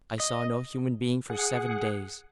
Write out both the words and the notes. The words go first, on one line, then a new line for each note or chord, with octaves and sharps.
I saw no human being for seven days.
D#5
G#4 F#5